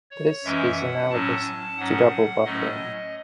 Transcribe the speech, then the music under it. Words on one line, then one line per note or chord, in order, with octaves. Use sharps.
This is analogous to double buffering.
C#5
F#2 E3 G#3 C#4 E5
F#5
A2 F#3 C#4 A5
G#2 F#3 C#4 F#5
A2 F#3 A3 C#4 D#5